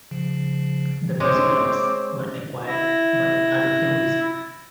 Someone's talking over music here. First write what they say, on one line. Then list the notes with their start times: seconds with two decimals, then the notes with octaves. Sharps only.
The music rights were acquired by Aditya Music.
0.11 C#3 F3
1.20 G#3 C4 C5 C#5 D6
2.67 E4 A#6